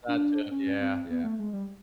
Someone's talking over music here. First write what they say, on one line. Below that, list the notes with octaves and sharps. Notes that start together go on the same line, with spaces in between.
That too yeah, yeah.
D4
C#4
C4
B3
A3
G#3
G3